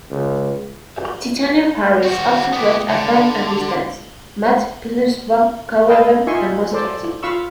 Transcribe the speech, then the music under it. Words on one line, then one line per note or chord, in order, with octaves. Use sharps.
Titania's Fairies also watch from a distance: Moth, Peaseblossom, Cobweb and Mustardseed.
C#2
C4 F#4
B3 G4
D3
A4 B4 D#5 F5 G5 A5
D#4 F4 E5 G#5 C6 C#6
A4 C5 D5
F4 F5 B5 C#6 E6